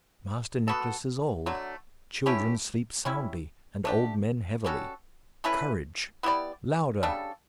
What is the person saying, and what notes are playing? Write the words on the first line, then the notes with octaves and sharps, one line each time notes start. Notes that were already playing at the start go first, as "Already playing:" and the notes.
"Master Nicless is old, children sleep soundly, and old men heavily. Courage! louder!"
B3 F#4 A4
D3 F#3 A3
A3 C#4 E4 G4
G3 C#4 E4
A3 D4 G4
G3 C#4 F#4 A4
A3 C#4 E4 B4
B3 E4 G4 D5
C#3 G3 D4 A4